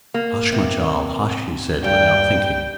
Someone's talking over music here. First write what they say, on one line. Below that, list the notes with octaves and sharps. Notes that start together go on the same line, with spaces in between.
"Hush, my child, hush!" he said, without thinking.
A#3
C3 B3
G2 G3 G5